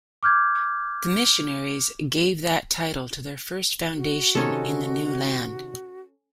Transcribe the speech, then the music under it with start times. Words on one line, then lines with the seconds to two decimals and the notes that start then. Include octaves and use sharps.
The missionaries gave that title to their first foundation in the new land.
0.23 D6 F6 G6 G#6
3.96 F#4
4.35 C3 D#3 C#4 D#4 A4